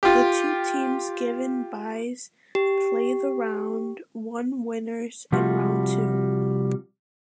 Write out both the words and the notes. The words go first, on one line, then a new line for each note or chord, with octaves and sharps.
The two teams given byes play the round one winners in round two.
F4 G4
G4
C3 F3 G3 F4 F#4